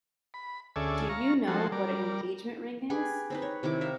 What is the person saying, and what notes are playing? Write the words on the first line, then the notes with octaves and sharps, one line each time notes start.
Do you know what an engagement ring is?
B5
D2 C#4 G#4 A4 D5 E5
F5 A#5 C#6
F3 G#3 F#4 A4 C5
G3 A#4 D5
G4 G#4 B4 G#5
C4 D#4 B4
C#5
C3 D#3 E4 D6
A#4 E5 F5